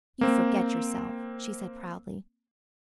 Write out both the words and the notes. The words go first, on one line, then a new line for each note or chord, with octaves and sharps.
"You forget yourself," she said proudly.
A#3 C4